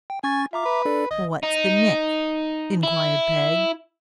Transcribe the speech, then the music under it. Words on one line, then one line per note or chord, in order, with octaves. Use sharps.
'What's the next?' inquired Peg.
G5
C#4 G#5 C#6 A6
F4 E5 A#5 D6
B4
D4 A4 D5
G#1 D#5
D#4
E4